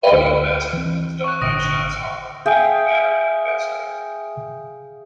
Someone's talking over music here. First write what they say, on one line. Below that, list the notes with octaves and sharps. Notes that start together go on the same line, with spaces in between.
Audio mastering was done by Chaz Harper at Battery Mastering.
D2
E3 C4
C#6 F#6
G#1 A#2 D3 D#6 A#6
G#4 E5 F5 G5